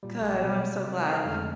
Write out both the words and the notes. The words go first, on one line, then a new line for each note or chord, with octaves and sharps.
Good. Oh, I'm so glad.
A#2 G3
A#1
B2 F#3 G3
C3 G3
D#4 A4 D#5 F5 F6
F2 D3 G#3 A3 F6